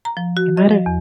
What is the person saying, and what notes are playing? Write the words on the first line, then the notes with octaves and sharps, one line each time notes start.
it might've
A#5
F3
F#4
D#5
F3
E2